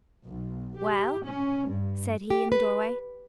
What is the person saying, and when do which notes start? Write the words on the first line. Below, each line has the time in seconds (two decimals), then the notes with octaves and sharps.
"Well?" said he in the doorway.
0.24 B1
0.78 G4
1.26 C#4
1.69 G2
2.30 G4
2.52 B4